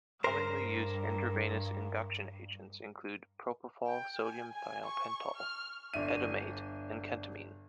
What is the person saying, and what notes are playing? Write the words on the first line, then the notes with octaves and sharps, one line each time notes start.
Commonly used intravenous induction agents include propofol, sodium thiopental, etomidate, and ketamine.
G2 A#4 C5
G5
G#5
G#5
C#6
F6
G1 D4 E5 D#7